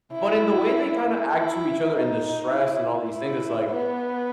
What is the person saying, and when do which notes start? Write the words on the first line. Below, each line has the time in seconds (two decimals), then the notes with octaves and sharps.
but in the way they kinda act to each other, and the stress, and all these things. It's like,
0.13 E4
1.33 E4
1.92 D#4
2.51 E4
3.10 E4
3.70 B3